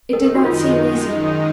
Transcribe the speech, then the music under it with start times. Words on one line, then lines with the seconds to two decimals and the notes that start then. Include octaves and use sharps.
It did not seem easy.
0.13 F#2 D#3 G#3 D#4 A#4
0.24 A#4
0.35 F#4
0.45 F4